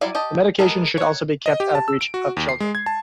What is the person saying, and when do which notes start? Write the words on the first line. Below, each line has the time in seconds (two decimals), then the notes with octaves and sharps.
The medication should also be kept out of reach of children.
0.01 F#3 G3 E4 D5 F5
0.15 G4 D#5 A5
0.59 G#3 B3 A4 A#4
0.98 C#5 F#5
1.46 D#5
1.60 G4
1.75 A5
1.88 E6
2.01 D7
2.14 F#4
2.37 D#2
2.49 C7
2.60 G#3
2.75 G#6
2.86 A5